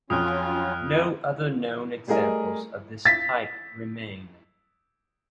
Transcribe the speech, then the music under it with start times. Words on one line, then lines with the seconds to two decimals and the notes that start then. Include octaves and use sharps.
No other known examples of this type remain.
0.10 F2 F#3 C#4 F4 D#6 F6 F#6
2.07 G3 A3 G#4 A#4 D#5
3.05 A6 B6